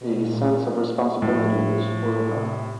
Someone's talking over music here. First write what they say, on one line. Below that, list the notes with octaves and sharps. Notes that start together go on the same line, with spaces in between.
A sense of responsibility would spoil her.
B2
A#2
A2 F3
C3